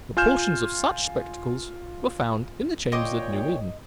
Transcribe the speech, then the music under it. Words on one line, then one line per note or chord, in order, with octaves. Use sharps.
But portions of such spectacles were found in the chambers at New Inn.
F4 G#5 F6 G6 E7
A#2 C#5 D#5 G5 C6 D6